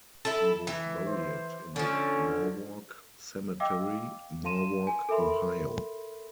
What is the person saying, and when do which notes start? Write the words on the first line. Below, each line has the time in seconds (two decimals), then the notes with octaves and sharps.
He was buried in Norwalk Cemetery, Norwalk, Ohio.
0.25 E4 A4
0.67 E3
1.07 C5
1.76 D3 F3 C#4
3.60 D#5 F5 G5 D6 E6
4.45 F5 A5 C6 D#7 E7
4.87 G#5
5.09 A4 A#4 E5 B5 C6